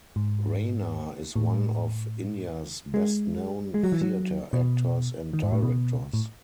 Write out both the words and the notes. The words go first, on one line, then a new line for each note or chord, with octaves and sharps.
Raina, is one of India's best-known theatre actors and directors.
G#2
A2
G#3
G#3
F#3
E3
F#3
B2
D#3
G#2
A2
B2
A2